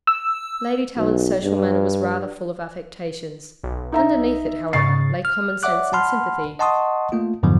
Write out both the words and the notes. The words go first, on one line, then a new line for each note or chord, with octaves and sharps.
Lady Tallant's social manner was rather full of affectations. Underneath it, however, lay commonsense and sympathy.
E6
B1
G2
B1
D#4 E5 A#5
G#2 C#3 C#6 A6 C7
F6
C#5 D5 E5 F#5 D6 F#6
F#5 A5 B5 C6 F6
D#5 F#5 A5 C6 C#6 D#6
A3 A#3 F4
F2 G#2 D3 F3 F#3 B3